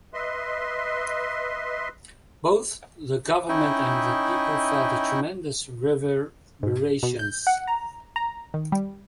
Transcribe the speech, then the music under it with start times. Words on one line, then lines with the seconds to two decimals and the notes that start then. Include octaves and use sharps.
Both the government and the people felt the tremendous reverberations.
0.14 B4 D#5 E5 C6
3.49 C#4 D#4 E4 D#5 E5 G5
6.63 G#2
7.03 B2
7.19 G6
7.47 F#5
7.67 A#5
8.16 A#5
8.54 D#3
8.72 G3